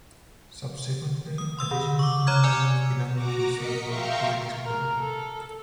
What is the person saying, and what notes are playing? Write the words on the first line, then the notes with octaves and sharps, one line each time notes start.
Subsequently, additional human agents belonging to the same group were discovered.
D#6
C6 E6
D#3
C#6 D6
C#5 A#5 D6 F6 G#6
D5 G#5 E6
F#4 A#5 D6
A#4 D#5 B6 C#7
E5 F5 G5 A#5 C6 C#6
A#4
A4